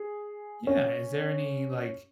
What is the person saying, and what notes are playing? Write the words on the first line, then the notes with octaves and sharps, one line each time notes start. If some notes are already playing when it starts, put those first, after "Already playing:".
Yeah, is there any, like,
Already playing: G#4
C#4